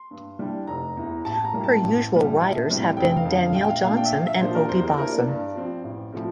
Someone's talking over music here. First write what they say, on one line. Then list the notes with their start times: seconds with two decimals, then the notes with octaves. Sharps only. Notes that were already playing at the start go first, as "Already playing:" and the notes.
Her usual riders have been Danielle Johnson and Opie Bosson.
Already playing: C6
0.11 G2
0.39 E3 G3 D4
0.67 F1 A#5
0.97 E2 E3
1.25 A1 A5
1.44 A#5
1.53 A2 G3 A#3
1.64 A5
1.83 A1
2.12 A2 E3 G3
2.40 A#1
2.69 A2 E3 G3 C4
2.97 F1 G5
3.16 F5
3.25 F2 D3
3.35 F5
3.54 A#1 G5
3.69 F5
3.83 A#2 A3 D4 F5
3.97 G5
4.05 E5
4.11 A#1 F5
4.27 E5
4.40 A#2 F3 A#3 D4 C5
4.55 A#4
4.69 E2 C5
4.84 A#4
4.98 E3 A#3 D4 A#4
5.12 D5
5.27 G2
5.55 F3 C4
5.84 A1
6.12 A2 F3 A3 C4